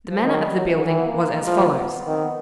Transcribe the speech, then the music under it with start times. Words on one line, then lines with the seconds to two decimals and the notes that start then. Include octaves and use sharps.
The manner of the building was as follows.
0.10 F3
0.24 D#3 F#3
0.39 G3
0.55 F#3
0.66 E3
0.76 D3
0.86 D#3 E3
0.98 B3
1.06 A#3
1.40 G#3
1.47 F3
1.52 A3
1.65 A#3
1.78 B3
2.07 D#3 C4
2.23 B3